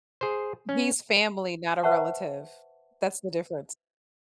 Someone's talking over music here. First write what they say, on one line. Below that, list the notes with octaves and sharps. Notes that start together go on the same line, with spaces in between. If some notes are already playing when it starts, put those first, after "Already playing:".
He's family, not a relative. That's the difference.
G#4 C5
C#4
B4 C5 E5 F#5 A5 C#6